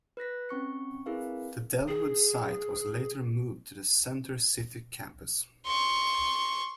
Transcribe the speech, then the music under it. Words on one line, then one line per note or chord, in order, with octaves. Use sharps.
The Dellwood site was later moved to the Center City campus.
B4 F#6 A#6 B6
C4 C#4 C#6 C#7
C4 E4 G#4 A#4 B4 F5
G#4
C6 C#6